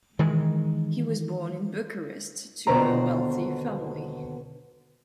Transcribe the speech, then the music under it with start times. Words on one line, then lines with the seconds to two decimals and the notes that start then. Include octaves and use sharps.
He was born in Bucharest to a wealthy family.
0.19 D#3 E3 G#3
2.67 D#2 B2 D3 B4 C5 A#5